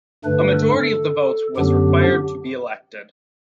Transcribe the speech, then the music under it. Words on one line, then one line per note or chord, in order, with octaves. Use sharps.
A majority of the votes was required to be elected.
G2 D3 A3 D4 B4
A4
F#2 D3 F#3 B3 D4 G4